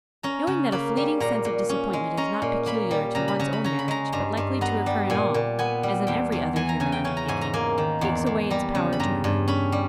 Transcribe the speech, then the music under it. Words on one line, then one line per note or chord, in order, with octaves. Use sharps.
Knowing that a fleeting sense of disappointment is not peculiar to one's own marriage, but likely to occur in all, as in every other human undertaking, takes away its power to hurt.
C#4 A#5
C#3
A#3 B5
G3
A#2 A#5
A#2
C#4
G#3
C#4 A#5
A#2
A#3 B5
G3
C#3 A#5
B5
C#3 A#5
B5
C#4 A#5
B5
G#3 A#5
G2 A#5
G2
B3 A#5
G3
A#2 G#5
A#2
B3 G#5
G3
E2 G5
E2
E3 G#5
A#5
C#3 G#5
G5
C#4 G#5
A#5
G#2 G#5
A#5
A#3 G#5
D#3
E2
E2
G3 A#5
C#3
B5
G2 A#5
G2
C#4 B5
G3